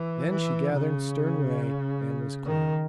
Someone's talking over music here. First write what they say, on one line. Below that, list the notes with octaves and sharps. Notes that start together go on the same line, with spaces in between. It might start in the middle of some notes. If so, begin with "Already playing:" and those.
Then she gathered stern way and was clear.
Already playing: E3
E3
C#3
D#3